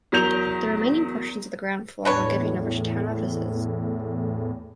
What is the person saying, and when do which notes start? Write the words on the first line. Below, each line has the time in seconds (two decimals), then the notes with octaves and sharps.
The remaining portions of the ground floor were given over to town offices.
0.12 E2 F#3 A#4 G6 F7
2.05 E2 A2 D4 B4 C#5